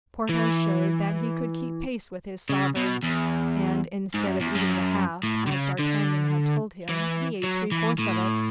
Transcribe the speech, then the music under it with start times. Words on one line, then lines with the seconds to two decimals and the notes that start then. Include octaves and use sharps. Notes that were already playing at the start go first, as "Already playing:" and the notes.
Porthos showed that he could keep pace with his sovereign; and, instead of eating the half, as D'Artagnan had told him, he ate three-fourths of it.
0.29 E3
2.49 C#3
2.77 B2
3.04 E2
4.14 G#2
4.27 F#2
4.40 E2
4.55 F#2
5.23 A2
5.47 D3
5.52 C#3
5.79 D3
6.89 E3
7.43 F#3
7.72 E3
7.99 A2